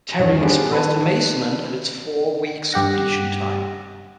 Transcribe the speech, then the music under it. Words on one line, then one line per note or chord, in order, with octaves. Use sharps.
Terry expressed amazement at its four weeks completion time.
E2 G2 D#3 C#4
B3 D4 F4 G4 G#4 C5
D#3 B4 A5
G2 G4 F#5 A#6